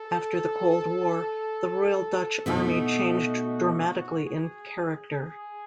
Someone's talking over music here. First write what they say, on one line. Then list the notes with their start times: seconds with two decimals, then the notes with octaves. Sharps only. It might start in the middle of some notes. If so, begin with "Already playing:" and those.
After the Cold War, the Royal Dutch Army changed dramatically in character.
Already playing: A4
2.46 B2 A3 D#4 F#4
3.36 F#4
3.81 F#4
4.26 G#4
5.16 G#4